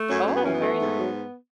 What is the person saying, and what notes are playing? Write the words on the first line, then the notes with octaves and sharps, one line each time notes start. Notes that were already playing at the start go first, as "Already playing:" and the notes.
Oh, very nice.
Already playing: A3
F#2 C#4
F#2
B3
E3 C#4
B3
A3
G#2
F#3